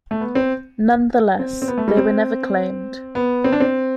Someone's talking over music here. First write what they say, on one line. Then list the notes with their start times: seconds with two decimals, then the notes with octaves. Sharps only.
Nonetheless, they were never claimed.
0.11 A3
0.21 B3
0.35 C4
1.39 C4
1.62 C4
1.68 B3
1.78 A3
1.88 G3
1.97 C4
3.15 B3
3.44 C4
3.52 D4
3.60 C4